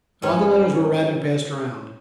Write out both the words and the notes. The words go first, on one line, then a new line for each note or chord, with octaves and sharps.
All the letters were read and passed around.
G#2 C#4 B4